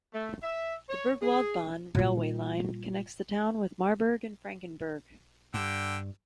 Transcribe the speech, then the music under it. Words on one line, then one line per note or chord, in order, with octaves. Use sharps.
The "Burgwaldbahn" railway line connects the town with Marburg and Frankenberg.
A3
E5
C#5
G#4
A#2 G3
G2 D3 G5 E6